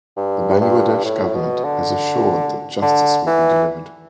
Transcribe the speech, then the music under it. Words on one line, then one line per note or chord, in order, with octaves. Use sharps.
The Bangladesh government has assured that justice will be delivered.
G2
G2
A2
B2
D3
D3
E3